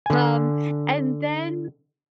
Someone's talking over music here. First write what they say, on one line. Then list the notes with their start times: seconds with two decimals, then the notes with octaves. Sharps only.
Um, and then
0.06 D3 G#5